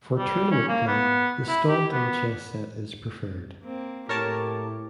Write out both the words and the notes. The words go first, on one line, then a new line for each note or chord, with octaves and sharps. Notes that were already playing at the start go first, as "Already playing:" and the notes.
For tournament play, the Staunton chess set is preferred.
G3
C#4
A#3
B3
E4
G4
B3
A#3 C4
A2 G4 A#4 C#5 A5